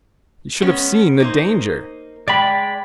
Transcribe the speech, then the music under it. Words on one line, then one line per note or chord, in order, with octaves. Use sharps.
"You should have seen the danger."
G#3 B3 C#4
A#3 D#4 C5
G#3 D5 G5 B5